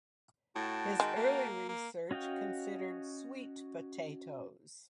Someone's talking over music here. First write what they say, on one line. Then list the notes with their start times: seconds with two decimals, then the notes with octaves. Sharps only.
His early research considered sweet potatoes.
0.56 A2 F#4 G5 A5
1.00 D#3 G#3
1.16 A#3
1.69 A#3
2.11 C#4 F#4 D#5 F5 G5